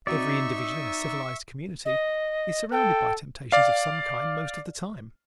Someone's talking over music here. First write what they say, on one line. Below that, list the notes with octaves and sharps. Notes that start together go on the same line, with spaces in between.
Every individual in a civilized community is surrounded by temptations of some kind most of the time.
C4 D#4 F#4 D5 E5 C#6 E6
D#5
A4 G5
D5 F5